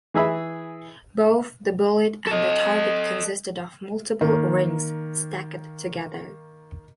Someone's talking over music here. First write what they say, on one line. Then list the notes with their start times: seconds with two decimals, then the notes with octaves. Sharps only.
Both the bullet and the target consisted of multiple rings stacked together.
0.14 E3 G#4 E5 B5
2.27 A4 D#5
4.21 D#3 A#3